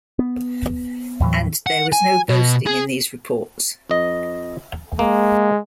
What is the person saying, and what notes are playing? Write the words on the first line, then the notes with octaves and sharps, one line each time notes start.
And there was no boasting in these reports.
B3
D#2 A2 E3 F#3
F#5
G#5
B2
G#4
F2 D#5
G#3 A#3